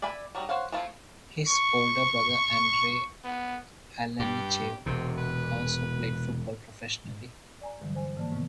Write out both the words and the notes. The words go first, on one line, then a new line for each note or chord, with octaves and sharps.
His older brother Andrei Alenichev also played football professionally.
D5 E5 G#5 B5
F#3 G3 D#4
C5 C#5 F5 F#5
F3 A3 E4 F4
C#6
B3
G2 G4
E1 C3 C4
B4
D5 G#5 A#5
G2 D3 E3 F#3 G3
C5 G#5
G#2 E3 F3 A#3 D5 A5
C3 D#3 F3 B3